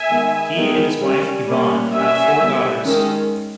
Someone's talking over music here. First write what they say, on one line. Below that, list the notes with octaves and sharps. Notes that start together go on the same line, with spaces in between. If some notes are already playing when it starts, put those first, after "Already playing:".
He and his wife Yvonne have four daughters.
Already playing: E5 G#5
D#3 G#3 B3
D#3 G#3 B3
G3 C#4
G3 A#3 C#4
G3 C#4 E5 G#5
G3 B3
D#3 G#3 C#4